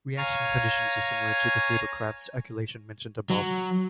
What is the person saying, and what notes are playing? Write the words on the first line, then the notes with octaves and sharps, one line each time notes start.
Reaction conditions are similar to the Friedel-Crafts alkylation mentioned above.
C#5 F5 G#5 A#5
F#3